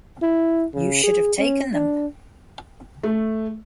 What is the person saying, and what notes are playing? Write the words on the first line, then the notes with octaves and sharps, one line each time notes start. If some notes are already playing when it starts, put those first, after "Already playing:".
You should have taken them.
E4
C#3
G#4
C#4
D4
A3